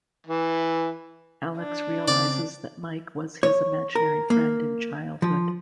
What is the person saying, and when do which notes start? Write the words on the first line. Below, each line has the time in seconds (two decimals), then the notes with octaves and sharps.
Alex realizes that Mike was his imaginary friend in childhood.
0.27 E3
1.59 D4
2.08 C#3 C4 D5
3.43 C#5
3.95 A#4
4.30 A#3
5.22 F3